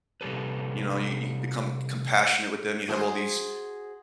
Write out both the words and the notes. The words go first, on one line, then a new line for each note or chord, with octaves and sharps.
you know, you you become c compassionate with them, you have all these
C3 G3 G4 A4 B4
F#4 G#4 C5